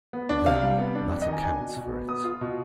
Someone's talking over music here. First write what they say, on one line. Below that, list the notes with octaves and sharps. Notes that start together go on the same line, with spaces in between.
Then that accounts for it.
B3
D4
C3 F5
G3
B3
D4
F2
D#5
D#3
G#5
D4 G#5
B2
B2
B3
B3 D#6
F4
B2